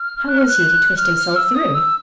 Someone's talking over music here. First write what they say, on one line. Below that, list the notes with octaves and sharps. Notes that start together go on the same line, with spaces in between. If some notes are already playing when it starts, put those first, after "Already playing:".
How was he to twist himself through!
Already playing: F6
F#6
F6
F#6
F6
F6
E6
D#6
E6